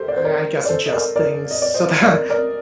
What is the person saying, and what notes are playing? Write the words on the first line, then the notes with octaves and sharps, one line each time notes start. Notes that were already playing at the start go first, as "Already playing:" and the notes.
I I guess adjust things so that
Already playing: G4 A4 A#4 C5
D5
C5
A#4 D5
D5
A4 C5
D#5
A#4 D5
A#4 D5
D#5
D5
C5 D#5
D#5
A#4 D5
A#4 D5